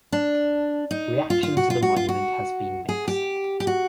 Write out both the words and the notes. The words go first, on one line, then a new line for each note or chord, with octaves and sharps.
Reaction to the monument has been mixed.
D4
D#4
F4
F4
F#4
F4
F#4
F4
F#4
G#4
G4
G4
F#4